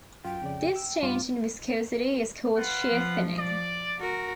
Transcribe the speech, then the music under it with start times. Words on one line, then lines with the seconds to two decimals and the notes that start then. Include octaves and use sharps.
This change in viscosity is called shear thinning.
0.25 F#2 F4 G5
0.42 F2 C#3 D5
0.76 E6
1.03 G2 F4 D6
2.57 F4 B4 F#5
2.88 F3
3.38 D5
3.99 F#4 A#4